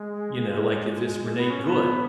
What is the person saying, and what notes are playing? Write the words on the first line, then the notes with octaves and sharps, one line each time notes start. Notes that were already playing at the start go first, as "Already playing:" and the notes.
you know, like, if this Renee Good,
Already playing: G#3
B3
C#4
B3